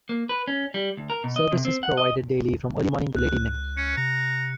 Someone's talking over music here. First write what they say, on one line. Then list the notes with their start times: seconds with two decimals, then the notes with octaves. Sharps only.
Service is provided daily from early morning to late evening.
0.09 A#3
0.29 B4
0.48 C#4
0.74 G3
0.97 D2
1.10 A#4
1.24 B2
1.36 D#5
1.52 C3
1.65 C4
1.83 F#5
1.97 D#5
3.16 C#2 F#6
3.77 C#4 C#7
3.97 C3 A#5